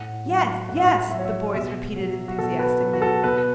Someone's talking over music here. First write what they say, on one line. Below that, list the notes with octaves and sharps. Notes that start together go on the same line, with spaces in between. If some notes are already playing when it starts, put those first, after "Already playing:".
"Yes, yes," the boys repeated enthusiastically.
Already playing: A2 F#5
F#3
A2 F#5
E5
F#5
F#3 E5
C#5
E5
B2 E5
F#3
F#4
B2 A4
B4
F#3
F#4
A4
B2 B4